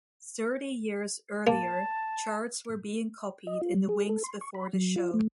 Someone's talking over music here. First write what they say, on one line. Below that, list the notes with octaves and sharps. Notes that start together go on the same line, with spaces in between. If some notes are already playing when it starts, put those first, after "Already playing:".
Thirty years earlier, charts were being copied in the wings before the show.
A#3 A5
D#5
F4
G3
G#4
A4
C6
C#6
B5
F#3
F4
A3